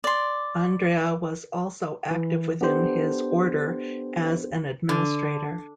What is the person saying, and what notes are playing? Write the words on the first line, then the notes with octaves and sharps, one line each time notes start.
Andrea was also active within his order as an administrator.
D5 C6
E3
B3 D4 G4 A4 C5
D3